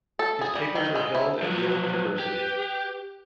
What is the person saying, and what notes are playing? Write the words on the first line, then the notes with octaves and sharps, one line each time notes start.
His papers are held at Yale University.
A4
G#4
G3
D#3
G#3
E4
F3 F#3 B4
G4